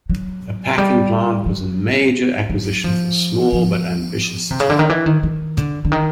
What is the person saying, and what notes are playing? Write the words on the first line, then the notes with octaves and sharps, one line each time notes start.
A packing plant was a major acquisition for a small but ambitious town.
F#3
G3
F#3
F#3
F3
F3
C3
C#3
D3
D#3
E3
D#3
D#3
D3
D3
D#3